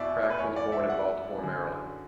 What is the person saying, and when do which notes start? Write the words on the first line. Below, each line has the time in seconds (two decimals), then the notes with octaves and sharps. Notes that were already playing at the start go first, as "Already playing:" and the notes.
Krack was born in Baltimore, Maryland.
Already playing: E2 B2 D5 E5
0.30 B4
0.39 F#2 E3 C#5
0.56 D5
0.72 E5
0.89 F#5
1.38 F#2 D3